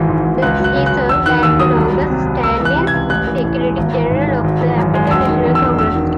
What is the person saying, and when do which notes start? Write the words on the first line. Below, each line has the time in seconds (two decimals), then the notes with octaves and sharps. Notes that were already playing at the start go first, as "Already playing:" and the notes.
He served as the longest-standing secretary-general of the African National Congress.
Already playing: G#1 E3 G#3
0.08 G#2
0.25 G#1
0.42 C#2 F#6
0.60 F#3 F#6
0.76 C#3
0.86 F#6
0.93 C#2
1.09 E1 E6
1.26 D#3 F#6
1.43 D#2 E6
1.59 F#3 D#6
1.76 C2
1.93 F#3
2.10 C3
2.26 C2
2.43 C#2 E6
2.60 E3
2.65 F#6
2.76 C3
2.87 G#6
2.94 C#2
3.10 A1 F#6
3.27 E3
3.44 A2
3.61 G#3
3.77 G#1
3.94 E3
4.11 G#2
4.28 G#3
4.44 G#1
4.61 E3
4.78 F#2
4.94 G#3
5.11 E1 E6
5.28 D#3
5.45 E2
5.55 E6
5.61 E1
5.78 E1 E6
5.95 D#3